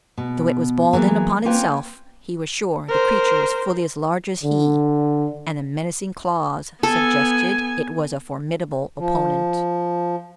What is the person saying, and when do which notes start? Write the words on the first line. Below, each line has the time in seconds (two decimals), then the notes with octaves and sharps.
Though it was balled in upon itself he was sure the creature was fully as large as he, and the menacing claws suggested it was a formidable opponent.
0.18 B2
0.93 E3 F#3 G#3 A#3
1.45 A#3 C4 C#4 F4 B4 G5
2.89 A#4 C5
4.43 D3
6.83 B3 A4 G#5
8.98 F3